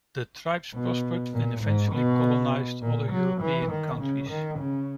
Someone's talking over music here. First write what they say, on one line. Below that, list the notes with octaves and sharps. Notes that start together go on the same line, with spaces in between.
The tribes prospered, and eventually colonised other European countries.
B2
A#2
G#2
B2
A#2
F#3
E3
D#3
C#3
D#3
C#3